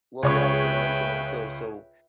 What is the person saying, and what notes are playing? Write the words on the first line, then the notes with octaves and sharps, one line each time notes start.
well, yeah, I was gonna mention also. So,
C#2 G#4 B4 C#5 E5 G5 C#6